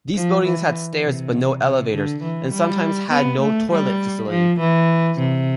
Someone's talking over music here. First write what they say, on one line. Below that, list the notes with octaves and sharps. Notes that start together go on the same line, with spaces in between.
These buildings had stairs but no elevators, and sometimes had no toilet facility.
F3
E3
C3
C3
D3
E3
G3
B3
A3
G3
F3
E3
C3